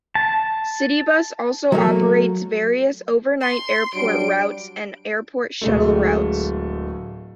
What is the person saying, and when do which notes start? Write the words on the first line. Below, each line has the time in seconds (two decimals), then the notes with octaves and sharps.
Citybus also operates various Overnight Airport routes and Airport Shuttle Routes.
0.15 A5
1.72 F#3 A3 A#3
3.41 C6
3.94 F#3 G3 D4 D7
5.61 D1 G#3 A3